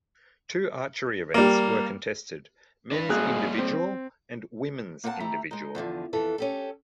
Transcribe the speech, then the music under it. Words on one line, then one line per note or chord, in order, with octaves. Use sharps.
Two archery events were contested: men's individual and women's individual.
G3 A#3
D4 B4
G#1 G3 A#3 G#4 F#6
C4
A#3 C4 F#5 G5 A5
A3 D#4 E4 G4 A#5
G#3 D#4
E2 A2 D3 F3
F2 E3 A4
C#4 G4 A4